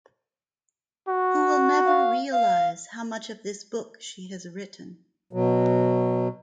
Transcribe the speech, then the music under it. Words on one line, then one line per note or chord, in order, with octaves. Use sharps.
Who will never realize how much of this book she has written.
F#4
F5
F5
B2 F#3